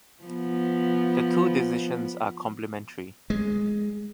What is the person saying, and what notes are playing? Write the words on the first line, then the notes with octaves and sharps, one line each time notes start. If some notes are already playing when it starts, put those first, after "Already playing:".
The two decisions are complementary.
F3 B3
G#3